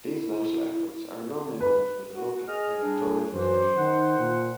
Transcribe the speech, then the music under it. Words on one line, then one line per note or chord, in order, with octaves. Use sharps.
These national efforts are normally managed by the local electoral commission.
E4
B4
F#4
G#4 D#5 F6
A2 G3 D4
F#2 E3 C5
D#3 F#5
A#2